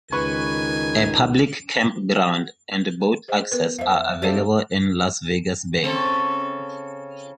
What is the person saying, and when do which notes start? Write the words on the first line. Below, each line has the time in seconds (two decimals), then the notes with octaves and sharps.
A public campground and boat access are available in Las Vegas Bay.
0.12 C#2 D#3 B4 G#5 C#6
3.28 G#4 C5 D#5
3.52 B3 A#4 B4
3.79 F2 C5 E5 F5
4.22 G3 C4 A4 C5 D5 F5
5.83 C#3 C4 A4